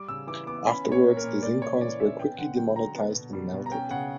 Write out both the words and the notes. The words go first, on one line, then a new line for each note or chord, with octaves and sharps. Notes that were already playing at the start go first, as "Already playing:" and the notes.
Afterwards, the zinc coins were quickly demonetized and melted.
Already playing: G3 D6
C#3 E6
E3 D6
B3 D6
C#4 B5
A#2
C#5
A#3
A#4
A#2
A#3 D5
C#3 C#5
E3 D5
C#4 E5
B3 G5
D3 F#5
F#3 G5
D3 A#5
B3
B2
G3
B2
A#5
C#4 G5
C#3 F#5